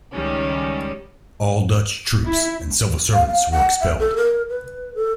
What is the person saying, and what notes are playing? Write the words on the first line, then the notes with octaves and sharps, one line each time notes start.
All Dutch troops and civil servants were expelled.
C#2 D#3 G3 C#4
E4
F5
F5
F#5
E5
A4
A#4
B4
A4